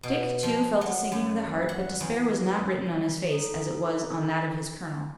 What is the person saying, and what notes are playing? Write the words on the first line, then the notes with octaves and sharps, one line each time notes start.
Dick, too, felt a sinking of the heart, but despair was not written on his face as it was on that of his colonel.
B2
F3
F#3
F#2
F#5
E2
G3
D#4 A4